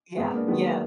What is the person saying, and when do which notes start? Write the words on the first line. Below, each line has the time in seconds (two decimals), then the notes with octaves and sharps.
Yeah. Yeah.
0.17 G#2 G#3 B3
0.33 A#3 D4
0.48 D#3 F#3 G#3 B3
0.63 A#3